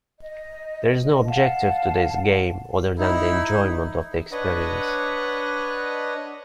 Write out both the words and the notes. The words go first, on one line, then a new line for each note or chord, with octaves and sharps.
There is no objective to this game other than the enjoyment of the experience.
D#5
F5 F#5 A5
D#4 E4
D4 B4 C#5 D#5 F#5